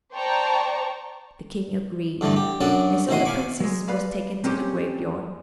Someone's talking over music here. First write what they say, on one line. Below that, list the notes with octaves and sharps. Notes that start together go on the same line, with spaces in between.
The king agreed, and so the princess was taken to the graveyard.
C5 D5 G5 A5 A#5 C#6
G2 D3 E3 A3
G4
F#2 C#4 D4 F#4 A4
A1 D#3 E4 F#4 C6 D#6
F5 G#5 B5 C#6 D6
F#3 G#3
B4 D5 F5 B5
A#3 C4 C#4 G4